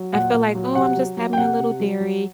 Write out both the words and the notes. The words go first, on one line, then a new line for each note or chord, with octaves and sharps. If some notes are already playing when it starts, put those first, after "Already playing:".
I feel like, "Oh I'm just having a little dairy.
Already playing: F#3
A#2 F#5
A#2
F#3
C3 F#5
F#3
F#3
G5
C3 F#5
C3
F#3
F#3